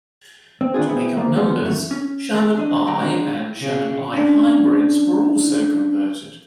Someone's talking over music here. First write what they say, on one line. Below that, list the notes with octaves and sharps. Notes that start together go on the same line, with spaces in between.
To make up numbers, Sherman I and Sherman I Hybrids were also converted.
C4
D#3 D4 F4 G#4
B3 C4 E4 G#4
F3 A#3
F3 G#3 B3 C#4
F#2 A3
C#4
E3 A4 A#4 F5
D4 D#5
G#2 D3 F#3 A3 G5 A#5
G#3 D4 D#4 F#4 A#4
C#3
C#4 D4